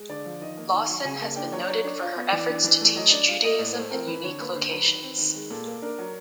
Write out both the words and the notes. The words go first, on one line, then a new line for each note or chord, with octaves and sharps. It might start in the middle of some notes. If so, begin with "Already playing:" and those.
Lawson has been noted for her efforts to teach Judaism in unique locations.
Already playing: G#3
D3 D5
F3
D#3 D#5
A#3
D#3
F#3
C#3 G#5
A#3 A5
D4 G5
F#3 C#5
F#3 C#5
D4
F4
B3
E3 D5
D4
E3 D5
A3
F#3 D#5
D4 D5
F4
A#3 D#5
A2 D5
A3 C5
C4 A#4
E3 B4
D3 C#5
A#3 B4
D3 C5
F#3 B4
D#3
C4
D#3
G#3
A#2 A4
A#3
D4 A#4
F#3